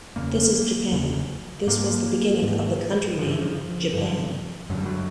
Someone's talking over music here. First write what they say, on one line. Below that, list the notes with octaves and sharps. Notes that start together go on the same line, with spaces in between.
This is Japan This was the beginning of the country name Japan.
E2 C#3 A#3
E2 C#3
G#2 A#3
G#2
G2 D3 F3
E3
F3
G2 D3
F#2 D3 F#3
G3
F#3